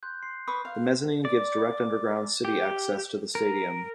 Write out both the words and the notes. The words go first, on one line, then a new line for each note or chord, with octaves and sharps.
The mezzanine gives direct underground city access to the Stadium.
C6 F#6 G6
C6 C7
B4 C#6 D#6
F5
D5
G4
A#4